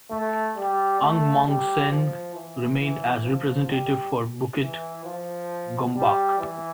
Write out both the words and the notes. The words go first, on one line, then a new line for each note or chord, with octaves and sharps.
Ang Mong Seng remained as representative for Bukit Gombak.
A3
G3
A3
G3
F3
E3
E3
F3
G3
E3
F3
G3
E3